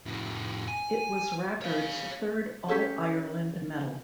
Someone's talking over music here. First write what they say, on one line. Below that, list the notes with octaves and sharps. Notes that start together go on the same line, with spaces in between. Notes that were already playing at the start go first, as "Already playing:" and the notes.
It was Rackard's third All-Ireland medal.
F2 A2
G#5
C#5 F5
C#4 G4 A4 C#5